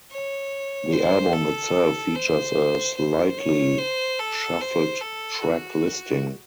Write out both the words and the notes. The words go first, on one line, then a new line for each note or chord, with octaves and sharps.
The album itself features a slightly shuffled track listing.
C#5
C5
A4
C5
C5
C#5
C5
A4
C5
A4
F#4